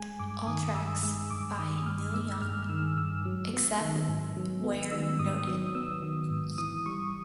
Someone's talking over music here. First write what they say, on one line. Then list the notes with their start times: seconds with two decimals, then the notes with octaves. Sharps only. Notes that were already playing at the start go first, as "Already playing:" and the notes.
All tracks by Neil Young, except where noted.
Already playing: G#3 G#5
0.19 G2 D6
0.47 D#3 D#6
0.75 G2 E6
1.03 G#3 E6
1.30 G2 D6
1.59 D#3 D#6
1.86 G2 F6
2.14 G#3 E6
2.42 G2 F6
2.63 F6
2.69 D#3 E6
2.97 G2 E6
3.25 F#3
3.53 B3
3.81 D#3
4.08 G#2
4.36 F#3
4.64 B3
4.91 D#3 E6
5.19 G#2 D#6
5.47 F#3 D#6
5.75 B3 E6
6.03 D#3
6.31 G#2
6.58 E3 D#6
6.86 G3 C#6